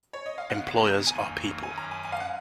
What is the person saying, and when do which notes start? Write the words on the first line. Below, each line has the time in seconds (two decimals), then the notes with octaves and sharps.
Employers are people.
0.13 C#5
0.26 D#5
0.38 F5
0.50 C#3 G#3 B3 F#5
0.78 A#5
1.06 F2 D#3 F#3 A#3 D#4 G#5
1.63 F#2 D#3 F#3 C#4 G#5
1.78 A#5
1.91 G#5
2.05 G#5
2.12 F5
2.20 F#5